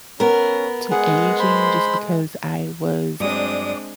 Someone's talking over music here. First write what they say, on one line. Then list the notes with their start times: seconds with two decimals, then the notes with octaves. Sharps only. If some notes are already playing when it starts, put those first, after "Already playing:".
to aging just because I was
0.20 B3 C#4 A#4
0.91 G#3 G#4 F#5
1.39 C5 B5 C6
3.20 G2 F#3 G#3 C4 D4 D5 D#6